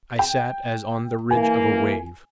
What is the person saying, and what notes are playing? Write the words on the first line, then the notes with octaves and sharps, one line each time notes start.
I sat as on the ridge of a wave.
G5
E3 A#3 G#5